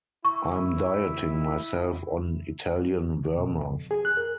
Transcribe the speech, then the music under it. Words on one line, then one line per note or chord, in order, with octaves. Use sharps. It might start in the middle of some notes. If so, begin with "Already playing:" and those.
I'm dieting myself on Italian vermouth.
E4 C#6
B2
F2
G#4
F#6
A#4